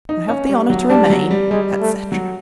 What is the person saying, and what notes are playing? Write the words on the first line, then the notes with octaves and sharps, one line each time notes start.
I have the honour to remain, etc.
D#4
C#4
G3
F#3
G3 D4
G3
F#3
G3
G3 G#3
A3
F#3